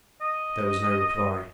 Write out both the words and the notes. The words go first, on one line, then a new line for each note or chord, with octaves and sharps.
There was no reply.
D#5